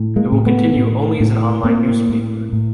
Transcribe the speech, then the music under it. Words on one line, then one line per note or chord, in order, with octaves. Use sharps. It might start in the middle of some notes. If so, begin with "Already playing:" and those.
It will continue only as an online newspaper.
Already playing: A2
G#3 A#3
A2
A3 B3
A2
A2
A2 A#3 C4
A2
A2